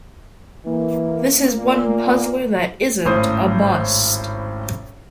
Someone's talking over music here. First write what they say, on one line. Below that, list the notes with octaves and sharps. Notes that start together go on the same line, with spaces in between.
This is one puzzler that isn't a bust.
E3 A#3
A#2
G#1 A2 C#4 C5 D#6